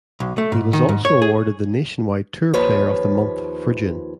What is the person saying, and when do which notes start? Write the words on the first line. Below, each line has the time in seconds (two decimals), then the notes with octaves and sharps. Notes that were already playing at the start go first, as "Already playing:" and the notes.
He was also awarded the Nationwide Tour Player of the Month for June.
0.20 B1
0.38 A3
0.52 G#2
0.73 D#3
0.89 G#2
1.05 C#5
1.22 G#4
2.54 D#2 F3 B4 C#5